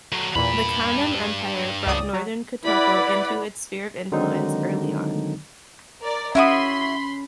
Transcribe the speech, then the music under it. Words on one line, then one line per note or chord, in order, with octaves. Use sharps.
The Kanem Empire brought northern Kotoko into its sphere of influence early on.
F#3 A3
E2 G2 A#2 B5
C#2 D5 D#6
F#3
E4 B4 D5 F#5 B5
D3 D#3 F#3 G#3 C4 D#4
A#4 D5
C#4 E4 F#4 B5 C6 D#6